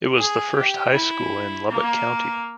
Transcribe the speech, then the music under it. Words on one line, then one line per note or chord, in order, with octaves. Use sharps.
It was the first high school in Lubbock County.
G#4
G4
E4
A#3